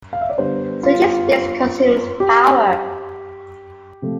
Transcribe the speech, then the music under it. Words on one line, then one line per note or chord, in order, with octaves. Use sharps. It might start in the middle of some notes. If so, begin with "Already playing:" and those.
Switching states consumes power.
F5
E5
D5
D3 G3 B3 C5
F4
G4
C3 F3 A3